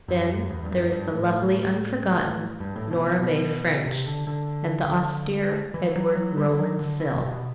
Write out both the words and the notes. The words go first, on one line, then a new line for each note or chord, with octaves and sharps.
Then there is the lovely unforgotten Nora May French and the austere Edward Rowland Sill.
F#2
F#2
E2
G2
F#2
G2
A2
G2
A2
B2
B2
B2
C3
D3
D3
E3
F#3
F#3
G3
E3
F#3
D3
E3
C3
C3
B2